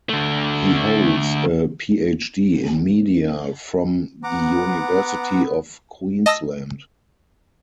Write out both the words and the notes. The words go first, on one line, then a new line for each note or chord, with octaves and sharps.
He holds a PhD in Media from The University of Queensland.
D3 A3
B3 F#5 A#5 D6
D#5 A5 D#6 E6 A#6